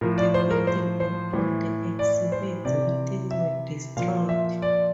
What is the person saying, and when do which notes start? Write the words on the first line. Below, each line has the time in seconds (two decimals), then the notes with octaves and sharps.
The building and all the exhibits within were destroyed.
0.01 A2 F3 A#4
0.18 D5
0.34 C5
0.51 A#4
0.67 C5
1.00 C5
1.33 A2 E3
1.99 D5
2.32 C5
2.65 C3 E3 D5
3.31 E5
3.97 A#2 F3 F5
4.29 E5
4.62 D5